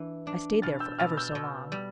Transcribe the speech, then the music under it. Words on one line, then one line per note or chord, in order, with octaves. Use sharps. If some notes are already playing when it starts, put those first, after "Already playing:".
I stayed there for ever so long.
Already playing: E3 D4
D4
B2 F6 A6
E6 G6
B2 F6 A6
E6 G6
B2
G3